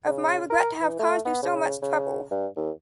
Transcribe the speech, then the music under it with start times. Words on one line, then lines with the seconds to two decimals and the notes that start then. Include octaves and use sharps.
Of my regret to have caused you so much trouble.
0.06 C#3
0.50 A#4
0.81 E3
0.99 A3
1.25 B3
1.43 C#3
1.82 C#3
2.31 G2
2.56 D#2